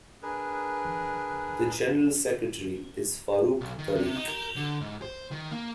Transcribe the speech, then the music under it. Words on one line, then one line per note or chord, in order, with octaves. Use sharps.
The General Secretary is Farooq Tariq.
D4 G#4 A#4 B4
B1
D#3
C3
D#4
A#4
D3
G#2
C5
D#3
A#3